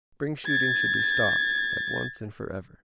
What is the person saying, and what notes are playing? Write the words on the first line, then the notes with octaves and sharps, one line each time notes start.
Spring shooting should be stopped, at once and forever.
G#6 A6